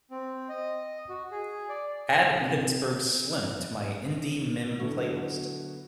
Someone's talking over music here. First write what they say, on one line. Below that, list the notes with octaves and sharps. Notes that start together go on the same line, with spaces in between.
Add pittsburgh slim to my indie mim playlist.
C4
D#5
F#4
G#4
D5
C3
D3 F#3 A3 B3 E4 F#4